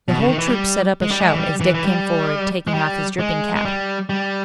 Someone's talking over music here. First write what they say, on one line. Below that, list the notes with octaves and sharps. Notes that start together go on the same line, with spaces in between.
The whole troop set up a shout as Dick came forward, taking off his dripping cap.
B2
C#3
D#3
E3
G3
G#3
G3
G#3
E3
G3
E3
E3
G3
G#3
G3
G#3
G#3
G3
G3